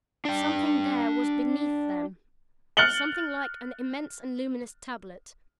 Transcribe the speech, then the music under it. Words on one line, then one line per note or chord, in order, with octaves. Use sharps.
Something there was beneath them--something like an immense and luminous tablet.
D4 G5
F6 F#6 A6 C#7 F#7 G7